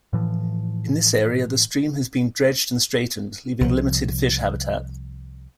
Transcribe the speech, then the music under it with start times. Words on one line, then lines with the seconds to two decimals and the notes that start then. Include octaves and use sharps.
In this area the stream has been dredged and straightened leaving limited fish habitat.
0.13 A2 E3 F3
3.61 C2 F3